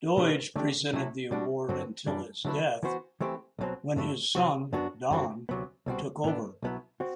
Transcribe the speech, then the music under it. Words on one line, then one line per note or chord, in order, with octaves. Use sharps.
Doig presented the award until his death, when his son, Don, took over.
B2 A3 D4 G4 B4
D3 A3 D4 G4
C3 F#3 A3 E4
B2 G3 D4 F#4
G2 D3 F#3 C4 F#4
F#2 E3 G3 D4
D3 F#3 A3 E4 B4
E3 B3 F#4 C5
E3 A3 C4 G4
B1 B2 F#3 C4
G2 D3 A3 E4
C3 F#3 C4 F#4
F#2 F#3 B3 D4 F#4
F#2 D3 G3 C4 F#4
D2 C3 F#3 B3
C2 B2 G3 C4 F#4
A2 E3 B3 D4
B1 B2 F#3 B3 E4
C4 F#4